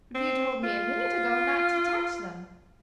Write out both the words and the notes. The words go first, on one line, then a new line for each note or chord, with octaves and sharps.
"But you told me, a minute ago, not to touch them."
C4
F4